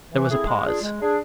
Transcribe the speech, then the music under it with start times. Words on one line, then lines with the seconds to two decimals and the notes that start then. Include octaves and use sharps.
There was a pause.
0.11 E3
0.29 A3 C4 E4 G#4
0.47 G#3
0.64 D4 F4 G#4
0.82 G#3
1.00 D4 G#4